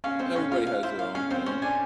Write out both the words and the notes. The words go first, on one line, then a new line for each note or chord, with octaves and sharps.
everybody has their own thing.
C#4 F5
C4 C5
C#4 F5
F4 F5
F5
E4 C5
F5
C#4 F5
C4 C5
C#4 C5
D4 G#5